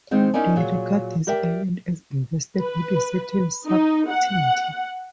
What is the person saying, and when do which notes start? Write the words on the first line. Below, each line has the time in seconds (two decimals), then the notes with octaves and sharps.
They regard these islands as invested with a certain sanctity.
0.11 D#3 G#3 C4 D#4
0.34 C#4 D#4 E4 A#4 D5 G#5
0.56 A#2 F#3 G#4
1.27 G4 A#4 D5 E5 G5
2.59 B4
3.68 D#4
4.11 F#5